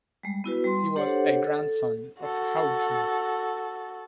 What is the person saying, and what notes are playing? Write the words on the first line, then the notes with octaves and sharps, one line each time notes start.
He was a grandson of Houtu.
G3 G#3
B3 E4 F#4 B4
G3 C6
D4 G4 A4 C5 C#5 F#5
A4
F#4 A4